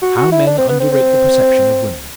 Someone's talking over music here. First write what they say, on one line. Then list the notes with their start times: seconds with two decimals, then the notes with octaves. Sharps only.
How men underrate the perception of women!
0.02 F#4
0.17 F#4
0.32 E4
0.47 D4
0.58 C4
0.69 B3
0.80 C4
0.92 C4